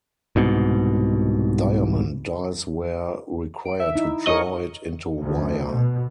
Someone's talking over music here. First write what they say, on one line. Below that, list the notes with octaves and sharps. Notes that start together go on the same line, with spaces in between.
Diamond dies were required to draw it into wire.
C2 G#2 B2
D7
E5
D#4 E4
A#4 C#5 D#5 C#6
D2
B2